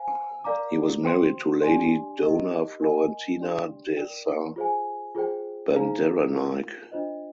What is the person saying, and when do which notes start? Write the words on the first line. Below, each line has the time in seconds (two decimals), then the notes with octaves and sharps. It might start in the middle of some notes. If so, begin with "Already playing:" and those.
He was married to Lady Dona Florentina De Saa Bandaranaike.
Already playing: C5 F5 G#5
0.44 A#4 D5 F5 A#5 D6
1.03 C5 G5 C6
1.62 D4 G4 D5 G#5 C6
2.21 D#4 G4 A#4 D#5 A#5
2.80 A#4 D#5 G#5 C6
3.39 D4 G4 D5 G5 C6
3.97 A#4 D5 G5
4.56 F4 G#4 C5 F5 G#5
5.15 F4 G#4 C5 G5
5.74 D#4 G#4 C5 F5 A#5
6.32 F4 A#4 F5
6.92 D4 F4 C5 D#5